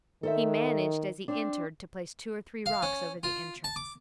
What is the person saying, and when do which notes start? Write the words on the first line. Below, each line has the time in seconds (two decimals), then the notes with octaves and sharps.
He managed as he entered to place two or three rocks over the entrance.
0.23 D#3 A4 C5 E5
1.28 C4 D4
2.66 F5
2.82 C#4
3.23 F4
3.64 A5
3.76 D6